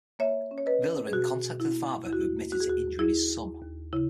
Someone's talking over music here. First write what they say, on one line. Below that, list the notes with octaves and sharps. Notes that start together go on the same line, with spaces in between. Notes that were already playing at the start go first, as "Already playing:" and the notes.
Villarin contacted the father who admitted to injuring his son.
A#3 C#5 E5
C#4
C#5
B4 D#5
C#4
G#4
B2 F#4
B2
E4
A#3
D#2 E4
F#4
E4
A#3
F#4
G#4
D#2 F#4
D#2 E4 G#4
D#2
D#2
C#3 E4